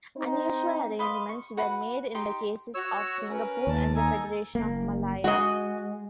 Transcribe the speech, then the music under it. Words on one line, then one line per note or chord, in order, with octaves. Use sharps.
Unusual arrangements were made in the cases of Singapore and the Federation of Malaya.
C4 D#4 C5
B4 D#5 F5 C6
C#6
F#4 B4
D#4 G4 C6
F#4 C#5 E6
C#4 A#4 B4
D#2 A5
D#4 A4 G#5 A#5
F#1 A#3
G#3 F#4 D#5